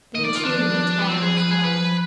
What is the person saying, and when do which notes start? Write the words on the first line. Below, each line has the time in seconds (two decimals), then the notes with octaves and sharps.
They, too, were tall and strong.
0.15 D#3 D#5
0.25 D5
0.36 F4
0.45 F3 D4
0.99 B3
1.07 F3 C4
1.22 G#4
1.37 B4
1.51 G#4
1.64 F3 B4